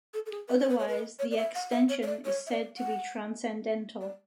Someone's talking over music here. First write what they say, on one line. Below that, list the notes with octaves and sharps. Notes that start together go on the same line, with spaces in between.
Otherwise, the extension is said to be transcendental.
A4
A4
G#4
B4
C#5
B4
C#5
B4
C#5
D5
E5
F#5
E5
C#5
C#5
D5
C#5
E5
D5
F#5
D5